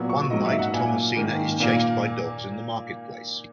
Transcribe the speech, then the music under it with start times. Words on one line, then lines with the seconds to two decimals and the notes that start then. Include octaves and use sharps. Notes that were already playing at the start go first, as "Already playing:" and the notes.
One night Thomasina is chased by dogs in the marketplace.
Already playing: A#2 F#3 B3
0.10 C#6
0.30 G#2 F#3 A#3 D#5
0.46 E5
0.59 F#5
0.74 A#2 A#3 G#5
1.16 G#2 D#3 A#3
1.60 A#2 A#3